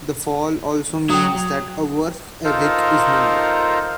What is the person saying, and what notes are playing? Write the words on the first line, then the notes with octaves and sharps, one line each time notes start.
The Fall also means that a work ethic is needed.
F#3 G5 D#6
D#4 F4 A4 A#4 C5